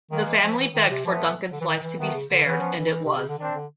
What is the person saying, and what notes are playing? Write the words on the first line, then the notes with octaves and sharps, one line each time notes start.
The family begged for Duncan's life to be spared and it was.
D#3 G#3 A#3
E3
F3
E3
D#3
C3
F3 A3 B3
D3
E3
D#3
E3
D#3 A3 B3
C#3
D3
E3 B3 C#4
F3
E3
C3
C#3
D3
D#3 C4 D4
D3